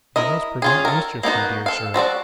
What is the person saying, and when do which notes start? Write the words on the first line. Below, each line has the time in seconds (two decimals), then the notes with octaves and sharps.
You must prevent mischief, my dear Sir.
0.16 E4 A#4 D#5
0.62 C#4 F4 G#4
0.85 A4 A#4
1.23 A#3 B3 D#4 F#4
1.66 A4 F5
1.94 F3 F#4 A4 D5